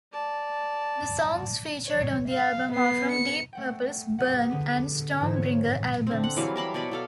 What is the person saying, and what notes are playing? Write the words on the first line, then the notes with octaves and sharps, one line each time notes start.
The songs featured on the album are from Deep Purple's "Burn" and "Stormbringer" albums.
D5 A5
C#5
F5
B3 C7
C#7
A3 F#5 G5
G4 G#4 B4 F#5
D3 B3 G4
G#2 E3 C4 E4
F1 C#5
D3 C4
F#5
E3 F#3 G3 F5
A#4 A5 B5 C6
B2 F#3 D5 B5
B2 A4 F5